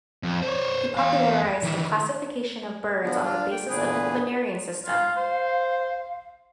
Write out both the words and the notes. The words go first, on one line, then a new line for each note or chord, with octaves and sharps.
He popularized the classification of birds on the basis of the quinarian system.
F2
C5 C#5
E2 F5
D#3 E3
D3 F3 B3
D4 F4
G5
E2 A#2 D3 G#4 B4
F4 F5
C5